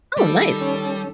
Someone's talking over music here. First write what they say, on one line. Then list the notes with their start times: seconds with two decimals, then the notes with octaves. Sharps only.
Oh, nice.
0.17 D#3 G3 A4
0.61 C#4 C#5